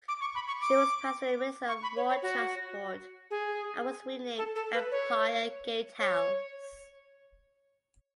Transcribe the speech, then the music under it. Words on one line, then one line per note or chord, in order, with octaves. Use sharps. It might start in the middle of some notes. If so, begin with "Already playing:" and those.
She was passed to the Ministry of War Transport and was renamed "Empire Gatehouse".
D6
C#6
B5
C#6
D6
C#6
B5
C#5
C#5
F#4
G#4
A4
A4
B4
C#5
C#5